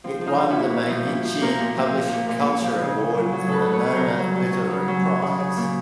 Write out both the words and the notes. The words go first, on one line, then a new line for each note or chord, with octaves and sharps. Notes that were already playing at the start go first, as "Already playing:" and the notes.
It won the Mainichi Publishing Culture Award and the Noma Literary Prize.
F3 C4
F3
D#4 F4
F3
E4 F#4
A#2
A#2
F3
A#2
F3
A#2 A#4 C5
A#2
F3
A#2
A#2
A#2
A#2
F3
C#3
C#3
F#3
F#3
C#3 A4 B4
C#3
B4 C#5
F#3
A#4 C5
C#3
F#3
F#3
F#3
C#3
F#3
F#3
C#3
C#3
A#2